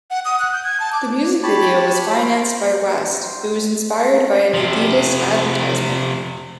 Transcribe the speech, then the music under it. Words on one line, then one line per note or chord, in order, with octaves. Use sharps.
The music video was financed by West, who was inspired by an Adidas advertisement.
F#5
D#6
F#6
G6
G#6
A5
D6
G4 C#5 A5 B5
C5
C3 F3